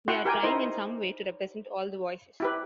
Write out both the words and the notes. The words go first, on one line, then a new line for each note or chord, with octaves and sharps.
We're trying in some way to represent all the voices.
E4 F#4 F#5 G5 C6 C#6
G4 A#4 G5 G#5
D#4 E4 C5 D#5
E4 G4 B4